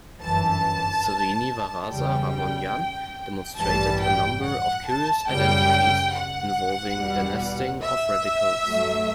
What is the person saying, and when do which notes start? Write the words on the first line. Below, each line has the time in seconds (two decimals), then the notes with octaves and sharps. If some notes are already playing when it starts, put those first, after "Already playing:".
Srinivasa Ramanujan demonstrated a number of curious identities involving denesting of radicals.
0.21 G1 F#2 E3 A5
1.90 E2 C#3 G3 G5
3.59 A1 G2 E3 G3 A5
4.01 G5
4.43 F#5
4.86 A5
5.29 F#2 C#3 G3 G5
6.14 F#5
6.98 E2 B2 G3
7.83 E5
8.66 G2 F#3 A3